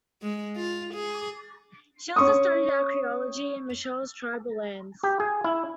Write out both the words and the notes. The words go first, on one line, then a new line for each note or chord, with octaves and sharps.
She also studied archaeology in Michelle's tribal lands.
G#3
F4
G#4
C#4 C#6 D#6
G4
G#4
E4